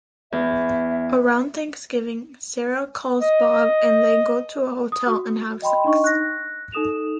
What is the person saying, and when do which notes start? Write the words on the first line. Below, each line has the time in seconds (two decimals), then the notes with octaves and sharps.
Around Thanksgiving Sarah calls Bob and they go to a hotel and have sex.
0.32 E2 E5
3.20 D#5
4.92 D#6
5.07 F#4
5.62 D#5 G5 B5 C6
5.84 D4 D#4 D#5 C#6
6.04 F#6 A#6
6.72 D#4 A4 D#6 E7 F7